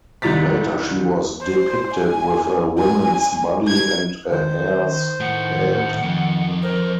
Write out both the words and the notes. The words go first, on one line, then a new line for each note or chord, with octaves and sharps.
Later she was depicted with a woman's body and a hare's head.
C2 D#3 G3 A#5 A6 B6
C5
G#5
G#5
G#6
D#3 C5
A2 F#5
F2
A#4 C5